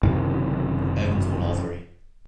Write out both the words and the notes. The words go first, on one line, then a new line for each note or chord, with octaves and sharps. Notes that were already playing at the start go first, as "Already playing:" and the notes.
Evans won all three.
F#1 F#2 C3 D#3